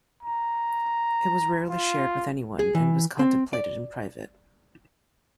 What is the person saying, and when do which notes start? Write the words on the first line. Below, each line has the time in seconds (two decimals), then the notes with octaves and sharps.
It was rarely shared with anyone and was contemplated in private.
0.23 A#5
1.70 F4
2.59 G#4
2.75 E3
3.19 C4
3.53 D5